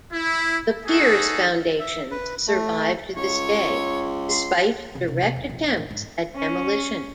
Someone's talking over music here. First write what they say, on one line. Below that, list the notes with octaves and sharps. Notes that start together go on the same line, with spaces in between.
The piers foundations survive to this day, despite direct attempts at demolition.
E4
D#4 F#4 G#4 A4
E5
B4
A3
C#2 C#5
C6
C3
C3
C3
D#1
A#1
F2
A2
G#2
C#4